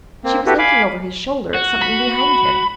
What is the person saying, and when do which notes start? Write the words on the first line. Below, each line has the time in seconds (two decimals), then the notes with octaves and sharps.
She was looking over his shoulder at something behind him.
0.24 A#3 C4
0.46 E4 F#4 G4 A4 B4
0.59 F5 G#5 B5 D6
1.55 F#4
1.82 B5